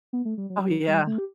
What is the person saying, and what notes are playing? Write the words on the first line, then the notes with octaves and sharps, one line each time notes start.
Oh, yeah.
B3
A3
G3
F#3
G3
A3
G4